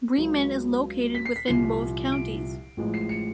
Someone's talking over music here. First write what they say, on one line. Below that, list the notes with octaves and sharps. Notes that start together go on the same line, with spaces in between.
Bremen is located within both counties.
C#2 C#3 F#3
B6
C7
B6
C2 A#2 F3 C7
D7
A1 A2 F3 G#3
C7
C#7